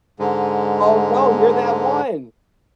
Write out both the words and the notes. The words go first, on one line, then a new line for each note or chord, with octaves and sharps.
Oh, no, you're that one!
G#2 D3 G#3